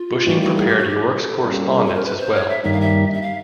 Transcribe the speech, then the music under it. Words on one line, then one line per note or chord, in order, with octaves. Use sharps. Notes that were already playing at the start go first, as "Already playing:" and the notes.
Bushing prepared York's correspondence as well.
Already playing: F4
A2 E3 G3 A#3 D#4 F#4
F#4
G#4
G4
F#4
G4
A4
G3 A#3 C#4
G#4
A4
A#4
B4
C5
C#5
E5
G2 D#3 G3 A#3 D#4 E5
F5
E5
E5
F5